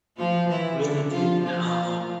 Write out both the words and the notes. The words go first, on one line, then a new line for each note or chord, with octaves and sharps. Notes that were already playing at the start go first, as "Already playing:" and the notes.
really didn't, um,
F3 F4
E3 E4
D3 D4
F3 F4
F3 F4